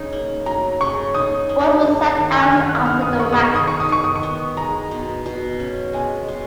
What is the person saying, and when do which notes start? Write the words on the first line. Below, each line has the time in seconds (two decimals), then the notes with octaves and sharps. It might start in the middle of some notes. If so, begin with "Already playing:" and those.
Walls was sacked hours after the match.
Already playing: C#3 D#4
0.13 A#3
0.46 F#3 A#5
0.81 C#3 C#6
1.15 D#4 D#6
1.49 A#3
1.83 G#3
2.17 D#3
2.42 F#6
2.51 D#3 F6
2.69 F#6
2.85 B3 F6
3.02 D#6
3.19 G#3 C#6
3.33 D#6
3.43 C#6
3.54 D#3 D#6
3.68 C#6
3.80 D#6
3.89 D#3 C#6
4.04 D#6
4.16 C#6
4.23 B3
4.57 G#3 A#5
4.91 B2
5.26 B2
5.60 C#4
5.93 G#3 G#5
6.28 B2